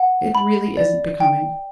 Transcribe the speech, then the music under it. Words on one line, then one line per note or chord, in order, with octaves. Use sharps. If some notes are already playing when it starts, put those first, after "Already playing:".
"It really isn't becoming."
Already playing: F#5
B5
D5
G5